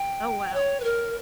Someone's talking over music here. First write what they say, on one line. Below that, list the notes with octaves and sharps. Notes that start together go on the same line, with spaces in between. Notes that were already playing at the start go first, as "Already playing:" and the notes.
Oh, wow.
Already playing: G5
C#5
B4
A#4